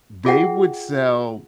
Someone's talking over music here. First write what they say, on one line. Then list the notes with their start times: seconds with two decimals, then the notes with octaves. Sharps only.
they would sell
0.25 F4 G#4 E5 F#5 G5